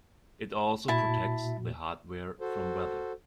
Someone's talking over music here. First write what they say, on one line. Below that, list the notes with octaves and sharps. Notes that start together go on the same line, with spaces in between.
It also protects the hardware from weather.
A#2 E4 F#4 A5
F#4 A4 C5